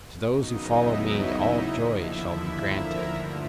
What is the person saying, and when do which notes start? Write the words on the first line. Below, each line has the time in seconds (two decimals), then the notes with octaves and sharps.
To those who follow me all joy shall be granted.
0.25 D#2 C#3 F#3 B3 D#4 D#5
0.60 E4 E5
1.65 D#2 D3 F3
2.01 E4 E5
2.72 A#4 A#5
3.07 G2 D3 F3 A3